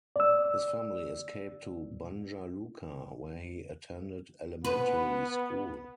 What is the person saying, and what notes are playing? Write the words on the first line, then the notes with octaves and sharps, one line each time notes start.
His family escaped to Banja Luka, where he attended elementary school.
D5 E6
B3 B4